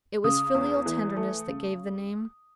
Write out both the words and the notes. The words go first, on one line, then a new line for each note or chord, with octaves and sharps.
It was filial tenderness that gave the name.
C#3 D#6
E2
E3
A3
C#3